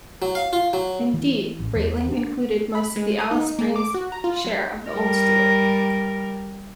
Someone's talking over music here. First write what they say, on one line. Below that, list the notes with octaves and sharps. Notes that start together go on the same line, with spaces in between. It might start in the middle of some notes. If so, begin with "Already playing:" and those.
Indeed, Braitling included most of the Alice Springs share of the old Stuart.
F#3
F5
F4
F#3
E3
A1
E2
D4
B5
G#3
D#6
D#4
A#3
D6
F#4
A#5
F4
F#3
G3 A#4